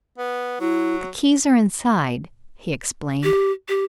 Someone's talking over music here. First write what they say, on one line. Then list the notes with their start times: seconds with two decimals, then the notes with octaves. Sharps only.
"The keys are inside," he explained.
0.18 B3
0.60 F#3 E4
3.24 G4
3.68 G4